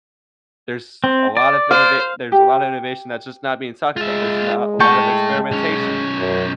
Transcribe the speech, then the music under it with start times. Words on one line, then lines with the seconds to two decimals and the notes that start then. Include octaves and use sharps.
There's a lot of innova There's a lotta innovation that's just not being talked about, there's not a lotta experimentation
1.04 C4
1.37 D5
1.71 C5 F5
2.32 G4
3.97 G#3 F4 E5
4.80 A2 A3 G5 A5 C#6
5.51 B1 C#4
6.18 F#2